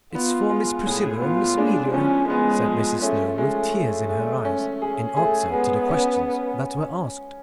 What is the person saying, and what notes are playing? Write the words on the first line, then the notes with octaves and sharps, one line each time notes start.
"It's for Miss Priscilla and Miss Amelia,'" said Mrs. Snow, with tears in her eyes, in answer to the questions that were asked.
B3 F4
G#3
A2 G#4
B3 F4
G#3 D4
F3 C#4
G#3 B3
F3
A3 C#4
G#3 A3
G#3
G#3
C#4
G#4
A3 G#4
G#3 B3
C#4